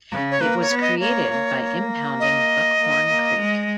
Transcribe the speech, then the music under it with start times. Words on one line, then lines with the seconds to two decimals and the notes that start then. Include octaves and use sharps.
It was created by impounding Buckhorn Creek.
0.11 C#3
0.31 C#5
0.41 A#3 B4
0.61 C#5
0.71 B3
0.81 D#5
1.01 A#3 C#5
1.31 A#3
2.20 D#5
2.80 A#3
3.10 A#3
3.40 G#3